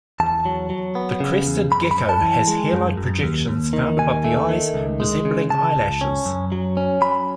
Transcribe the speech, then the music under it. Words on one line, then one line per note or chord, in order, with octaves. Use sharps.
The crested gecko has hair-like projections found above the eyes, resembling eyelashes.
E2 A5
F#3
F#3
B3
C#3
E2
F#2 B5
B5
F#2
A5
E3
G#3
F#2
F#2
D#2
D#2
D#3
D#2 G#5
A3
D#3
C#2
G#3
C#3
C#3 A5
C#2
C#4
F#2
F#3
C#4
F#3 B5